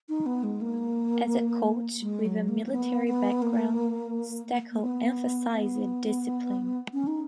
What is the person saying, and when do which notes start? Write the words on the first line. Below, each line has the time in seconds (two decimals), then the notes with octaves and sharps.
As a coach with a military background, Steckel emphasized discipline.
0.09 D#4
0.26 B3
0.43 G#3
0.61 A#3
2.02 G#3
2.25 F#3
2.49 A#3
2.66 A#3
2.72 B3
3.07 B3
3.42 A#3
4.72 A#3
4.83 B3
5.53 B3
6.93 C#4
7.07 D#4